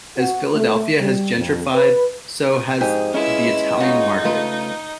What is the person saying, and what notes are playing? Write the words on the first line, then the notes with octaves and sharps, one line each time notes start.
As Philadelphia has gentrified so has the Italian Market.
F#4
A3
G3
F2
B4
F2 G#2 G4 G#4
G#3 C#4 E4 F4 G#4 B4 E6
D#4 F4 F#4 C#5
C#3 A3 F4 B4